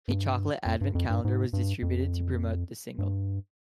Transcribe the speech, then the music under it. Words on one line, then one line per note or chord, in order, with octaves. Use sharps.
A chocolate advent calendar was distributed to promote the single.
G2
F2
G2
F2
G2
G#2
G2
F2
G2